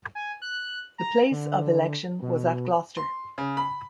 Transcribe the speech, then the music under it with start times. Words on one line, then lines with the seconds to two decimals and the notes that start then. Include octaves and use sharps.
The place of election was at Gloucester.
0.15 G#5
0.42 F#6
0.98 A#5
1.31 D3
2.22 B2
2.97 C6
3.38 C#3
3.57 B5